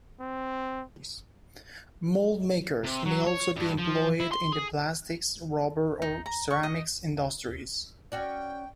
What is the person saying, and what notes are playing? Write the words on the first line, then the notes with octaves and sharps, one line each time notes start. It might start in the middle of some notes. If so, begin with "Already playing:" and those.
Moldmakers may also be employed in the plastics, rubber or ceramics industries.
C4
C3
F#3
C#5
G2
F3
E4
C6
G#4
D#4
A#5
C#6
D#5
C#4 F#4 D5 G5